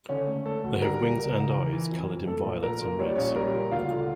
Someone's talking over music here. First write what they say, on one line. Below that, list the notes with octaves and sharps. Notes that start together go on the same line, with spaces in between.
They have wings and eyes colored in Violets and Reds.
D3 C#4 C#5
A3
A3 A4
D2
G3 A#4
G3
C#2
C#2
E3
E3
F2
F2
A3 A4
A#1
A#1 A#4
A#2
G3 C#5
D5
A#1 C#4 C#5
G3 A#4
A#2
D2 F4 F5
D3